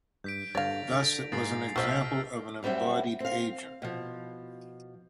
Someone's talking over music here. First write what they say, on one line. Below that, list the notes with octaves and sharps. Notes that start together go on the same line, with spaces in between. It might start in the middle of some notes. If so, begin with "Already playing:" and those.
Thus it was an example of an embodied agent.
G2 G6 B6 D7
G2 D3 C#5 F5 A6 A#6 F7
D3
G#2 A#3 G#4 A6 C7
B1 F#4 C5 D#5 E6 F6 B6
F#2 G3 C4 E5 F#5
C4 F5
B2 F3